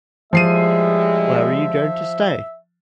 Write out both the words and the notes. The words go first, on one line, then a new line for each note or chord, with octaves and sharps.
Where are you going to stay?
A2 F3 G3 G#3 E5 C7 D#7